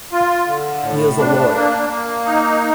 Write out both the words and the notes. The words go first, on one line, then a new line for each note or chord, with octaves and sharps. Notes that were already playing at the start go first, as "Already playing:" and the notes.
He is a lawyer.
F4
D3
A2
D4
A#3
A#3
D#4